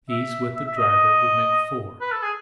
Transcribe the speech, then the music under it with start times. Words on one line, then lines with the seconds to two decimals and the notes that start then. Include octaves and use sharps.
These, with the driver, would make four.
0.10 E5
0.55 E5
0.66 E5
0.77 D#5
0.89 D#5
2.01 B4
2.12 A4
2.23 G#4